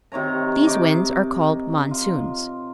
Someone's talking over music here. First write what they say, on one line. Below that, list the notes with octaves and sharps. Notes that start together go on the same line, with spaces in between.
These winds are called "monsoons."
C3 D#3 C#5 A#5
D#4 D6
F4